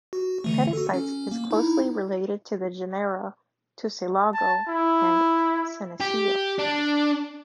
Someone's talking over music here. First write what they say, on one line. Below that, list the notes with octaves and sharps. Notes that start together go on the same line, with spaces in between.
"Petasites" is closely related to the genera "Tussilago" and "Senecio".
F#4
D3 E3 A3
F#4 A4
C#4
A#3
D#4 E4
A5
E4
G4
D4